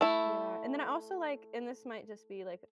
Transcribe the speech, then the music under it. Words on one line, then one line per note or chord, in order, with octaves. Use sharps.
Yeah. And then I also, like, and this might just be, like,
A3 E4